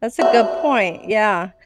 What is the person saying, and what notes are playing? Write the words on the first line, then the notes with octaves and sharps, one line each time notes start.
that's a good point, yeah,
F#4 E5